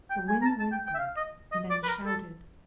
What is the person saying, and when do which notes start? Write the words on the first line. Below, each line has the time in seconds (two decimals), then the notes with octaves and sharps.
The wind whimpered and then shouted.
0.10 G5
0.28 G#5
0.42 A#5
0.45 A5
0.60 A5
0.72 G5
0.86 G5
0.94 E5
0.99 F5
1.16 D#5
1.52 D#5
1.70 D5
1.83 B4
1.87 A#4
2.06 A4